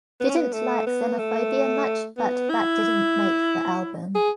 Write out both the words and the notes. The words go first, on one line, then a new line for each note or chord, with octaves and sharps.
Didn't like Xenophobia much but that didn't make the album.
B3
C#4
B3
A3
B3
A3
B3
E4
G#4